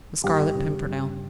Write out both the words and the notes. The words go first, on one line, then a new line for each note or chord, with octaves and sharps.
The Scarlet Pimpernel.
G1 G4
C#3
G1